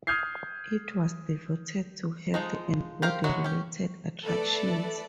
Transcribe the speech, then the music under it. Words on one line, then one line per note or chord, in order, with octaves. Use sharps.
It was devoted to health and body related attractions.
D#6 F6 G6 G#6 C7
F3 G#3 D#4
G4 A#4 C5 F5
F#3 G#3 E4 F#4
C#4 G4
A3 A4 B4 D5